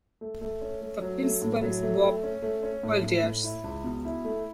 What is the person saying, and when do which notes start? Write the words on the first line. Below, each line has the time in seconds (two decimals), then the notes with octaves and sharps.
The principal is Bob Walters.
0.21 A3
0.41 A3
0.61 C#4
0.82 A3
1.02 F#3
1.22 A3
1.42 A2
1.62 F#3
1.83 A3
2.03 A3
2.23 C#4
2.42 A3
2.63 C#4
2.83 A2
3.03 A2
3.24 A2
3.44 E4
3.64 C#2
3.84 B2
4.05 E4
4.25 A3